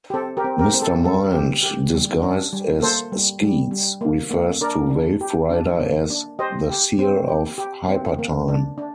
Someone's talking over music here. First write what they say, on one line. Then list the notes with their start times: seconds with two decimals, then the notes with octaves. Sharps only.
Mister Mind, disguised as Skeets, refers to Waverider as "the seer of Hypertime".
0.10 G4
0.14 C4 A4
0.37 G4 A#4
0.44 C4
0.59 G4 A#4
0.74 C4
0.82 A4
1.04 G3 A4
1.33 G4
1.63 G4
1.93 G3
2.23 D4
2.53 G3
2.82 A#3 A4 C5
3.12 G3
3.42 G3
3.71 G3
4.01 A#3
4.30 A#3
4.61 D4 A#4 D5
4.90 D4
5.21 G4
5.50 D4
5.80 A#3
6.10 D4
6.39 G4 C5 D#5
6.70 G4
6.99 C4
7.28 G4
7.58 G4
7.88 C4
8.19 A#3
8.48 D4
8.78 D4